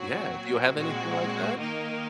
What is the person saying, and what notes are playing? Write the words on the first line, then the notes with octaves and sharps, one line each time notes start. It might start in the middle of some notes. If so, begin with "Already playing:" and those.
Yeah. Do you have anything like that?
Already playing: A#2 F#3 C4 F#4
A#2 G#3 C4 F#4
D#3 A#3 D#4 A#4